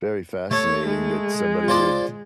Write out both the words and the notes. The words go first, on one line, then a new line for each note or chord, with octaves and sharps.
very fascinating that somebody would,
A3 C#5
G#3
F4 C5 D5